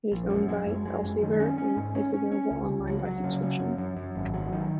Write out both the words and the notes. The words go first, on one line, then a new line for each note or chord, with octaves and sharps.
It is owned by Elsevier and is available online by subscription.
A#1
F#2
G#3
F#2
G#3
F#2
D#3
C#4
C#4
G#2
C#4
C#4
C#4
C#2
C#2
F#3
F#3
C#3
F#3
F#2
F#2
F#2
G#1
F#3
D#3